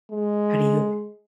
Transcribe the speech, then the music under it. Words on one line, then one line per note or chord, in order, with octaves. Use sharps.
how do you
G#3